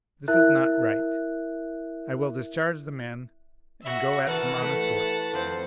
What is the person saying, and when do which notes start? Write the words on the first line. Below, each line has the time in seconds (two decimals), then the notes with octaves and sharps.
This is not right, I will discharge the men and go at some honest work.
0.28 E4 A#4 E5 F#6
3.82 F#4 E5
4.27 E3 E4 A#4 F#5 A5
4.62 A3
5.33 F2 C5